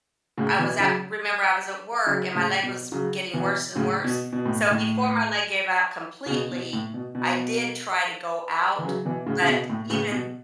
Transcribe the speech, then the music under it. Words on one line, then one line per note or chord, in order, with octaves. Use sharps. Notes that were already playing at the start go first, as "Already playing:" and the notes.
I was at remember I was at work and my leg was w getting worse and worse. So before my leg gave out completely, I did try to go out. But even
A2 C#3
B2 E3
C#3 F#3
C#3 F#3
A2 C#3
B2
C#3 F#3
B2 E3
A2 C#3
B2
B2
A2
A2
C#3
B2
B2
A2
B2
B2
E3
C#3 F#3
B2 E3
A2 C#3
C#3
B2
A2
A2 C#3
B2